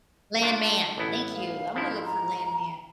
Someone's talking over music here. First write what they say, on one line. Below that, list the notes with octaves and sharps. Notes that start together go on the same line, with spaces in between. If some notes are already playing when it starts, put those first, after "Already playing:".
Landman. Thank you. I'm gonna look for Landman.
A3 D4 F4
A1 B3 E4
F5
G#2 F3 E4
A#5